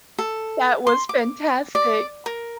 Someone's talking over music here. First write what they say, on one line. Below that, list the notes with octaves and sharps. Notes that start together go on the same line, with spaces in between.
That was fantastic!
A4
C6
D6
D5
A#4